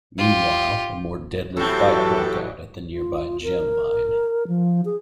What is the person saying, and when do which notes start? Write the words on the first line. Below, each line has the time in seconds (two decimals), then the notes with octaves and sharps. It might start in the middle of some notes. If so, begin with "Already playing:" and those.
Meanwhile, a more deadly fight broke out at the nearby Gem mine.
0.18 F4 G4
1.57 A2 E3 F#3 C4 G4 A4
2.92 F4
3.43 A#4
4.48 F3
4.85 G#4